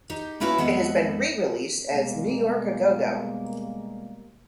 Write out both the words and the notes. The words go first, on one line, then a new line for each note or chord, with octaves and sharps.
It has been re-released as "New York A Go Go,".
D#4 G4
A#3 B3 C#4 E4 F#4 B4
F2 G#3 B3 E5 F#5
B2 G3 G#3 A#3